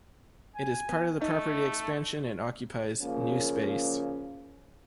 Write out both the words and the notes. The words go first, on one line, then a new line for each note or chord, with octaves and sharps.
It is part of the property expansion and occupies new space.
G#5
B3
A3 D#4
C#3 F3 A#3 C#4